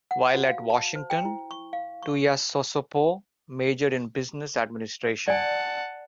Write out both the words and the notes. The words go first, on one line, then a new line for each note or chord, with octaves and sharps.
While at Washington, Tuiasosopo majored in business administration.
F#5
F#4
F5
A5
C5
G5
E4
C#6
F5
C#6
D5 F#5 G#5 A5